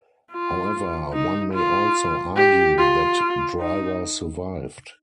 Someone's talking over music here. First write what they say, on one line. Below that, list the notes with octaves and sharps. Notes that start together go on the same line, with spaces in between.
However, one may also argue that Driver survived.
F4
D#4
F4
G4
F4
D#4